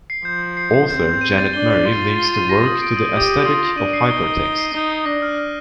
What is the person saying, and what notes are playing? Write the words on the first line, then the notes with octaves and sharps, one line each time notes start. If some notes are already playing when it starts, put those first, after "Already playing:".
Author Janet Murray links the work to the aesthetic of hypertext.
C7
F3 G6
G6
C7
C7
C4 G6
G6
D#7
A6
D4 G7
A6
F4 G7
A6
G7
D#7
A#6
D#6
D7
D#6
G4 D#6
D#6
F4 D#6
A#6
D4 D#7
C7
D#4 G7
G7
G7
C7
D#4 G7
C7
D4 A#6
F6
F6